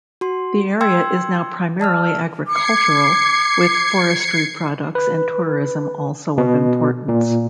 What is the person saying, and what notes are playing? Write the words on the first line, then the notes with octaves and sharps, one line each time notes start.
The area is now primarily agricultural, with forestry products and tourism also of importance.
F#4 C6
G5 C6 E6 G#6
D5 A5 E6 F6
D6 G#6 C7 C#7
B4
B2
A#2